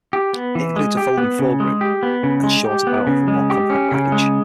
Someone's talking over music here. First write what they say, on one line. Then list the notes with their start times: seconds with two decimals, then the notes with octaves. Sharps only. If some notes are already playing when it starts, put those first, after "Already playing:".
It includes a folding foregrip and shorter barrel for a more compact package.
0.13 G4
0.33 B3
0.55 E3
0.76 G#3
0.97 G4
1.18 B3
1.39 C#3
1.60 G#3
1.81 G4
2.03 B3
2.23 C#3
2.44 G#3
2.65 G4
2.87 B3
3.07 C#3
3.28 G#3
3.50 G4
3.70 C#4
3.92 C#3
4.12 G#3